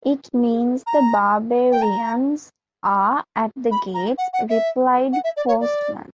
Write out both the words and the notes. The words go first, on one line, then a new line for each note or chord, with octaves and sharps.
"It means the barbarians are at the gates," replied Forstmann.
A#5
G5
A#5
B5
A#5
F#5
F#5
E5
F#5
E5
D5
C#5
D5